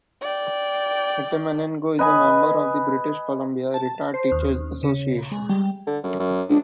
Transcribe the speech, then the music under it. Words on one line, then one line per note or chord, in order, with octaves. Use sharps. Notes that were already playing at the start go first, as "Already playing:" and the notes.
Atamanenko is a member of the British Columbia Retired Teachers Association.
D5 G5
B4 D#5 G#5 B5
A5
C5
D#2
C#3
G#3
G3
D3
F#2
F#2
C#2 D4